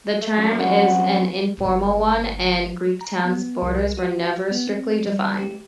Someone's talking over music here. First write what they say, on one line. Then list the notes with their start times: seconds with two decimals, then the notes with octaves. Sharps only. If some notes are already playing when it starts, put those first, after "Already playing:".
The term is an informal one, and Greektown's borders were never strictly defined.
0.22 A3
0.37 F#3 C#4 E5
0.60 F#3 C4 C#4 F#4
1.58 G1 D3
3.01 A#5
3.25 B3
3.62 C2
3.97 F#4
4.51 B3
4.67 C4
5.07 G3
5.39 G4